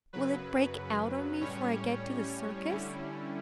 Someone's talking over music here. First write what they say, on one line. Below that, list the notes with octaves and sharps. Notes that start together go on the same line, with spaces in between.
"Will it break out on me 'fore I get to the circus?"
F#2 C#3 F#3 B4
A2 G3 C#4 C#5
D3 G3 C#4 E4